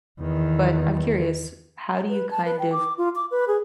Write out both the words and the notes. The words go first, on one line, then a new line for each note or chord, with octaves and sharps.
but I'm curious, how do you kind of
E2 D#3
B4
A5
B4
G5
D6
F4
D6
B4
G#4